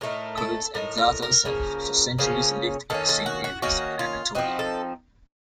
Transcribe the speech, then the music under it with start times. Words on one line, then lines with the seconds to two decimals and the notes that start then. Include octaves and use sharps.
Kurds and Zazas have for centuries lived in the same areas in Anatolia.
0.01 A2 A3 D#4 A#4
0.38 A4
0.74 A2 A3 D#4 A#4
0.98 A#4
1.22 A#4
1.45 C#3 F3 A#3 C#4
2.19 C#3 F3 A#3 C#4
2.90 D#3 A#3 C#4 A4
3.09 A4
3.26 F#4
3.44 F#4
3.62 D#3 A#3 C#4 F#4
3.99 F4
4.35 F3 C4 D#4 F#4
4.59 A4